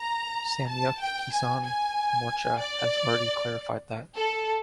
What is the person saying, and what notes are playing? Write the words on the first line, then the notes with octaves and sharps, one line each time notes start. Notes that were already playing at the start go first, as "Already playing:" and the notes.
Samyukt Kisan Morcha has already clarified that.
Already playing: A#5
A5
G5
G#5
G#5
D5
A4